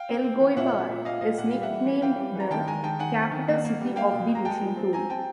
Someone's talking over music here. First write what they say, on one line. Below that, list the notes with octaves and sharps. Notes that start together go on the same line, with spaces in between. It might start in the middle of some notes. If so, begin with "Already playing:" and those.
Elgoibar is nicknamed the "capital city of the Machine tool".
Already playing: F5 G5
C4
C4
E3
A#2 E5 F#5
A#2
A#2
A#2 D#5 F5
A#2 D#5 F5
A#2 F#5
G3 F5
E5 F#5
E3
E3
E3 F5 G5
G3
E3 A#5
D#3 G5 A5
G#3 G#5 A#5
D#3 G5 A5
D#3 F#5 G#5
C4
D#3
A#3
A#3
G3
A#3 F5 G5
B2
A#3
A#5
G#3 G5 A5
F3
C4
C4 G#5 A#5
C4 G5 A5